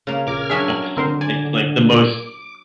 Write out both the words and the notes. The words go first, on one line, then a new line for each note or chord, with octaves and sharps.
awesome. It's, like, the most
C#3 A#3
A#1 A#4 D6 F6 G#6
F#3 C#4 D4 G#4 E5 G#5
D3 C4 A#4 C5
D5 G#5
D6